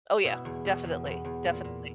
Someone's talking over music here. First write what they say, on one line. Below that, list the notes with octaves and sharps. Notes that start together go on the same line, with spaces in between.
Oh, yeah. Definitely. Definitely.
B2 E4
E2
B2
E2
E2
E2
A#2
A#2